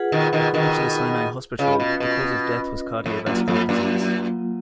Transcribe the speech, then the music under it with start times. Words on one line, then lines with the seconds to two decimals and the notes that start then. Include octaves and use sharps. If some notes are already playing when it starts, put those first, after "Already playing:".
According to the Sinai Hospital, the cause of death was cardiovascular disease.
Already playing: F4 G#4 B4 F#5
0.12 B2 D#3
0.33 B2 D#3
0.54 B2 D#3
1.59 C#3 C#4 F4 B4 D#5
1.80 B2
2.00 B2
3.06 F2
3.26 F#2 F#3 A#3 F4
3.48 F2
3.69 F#2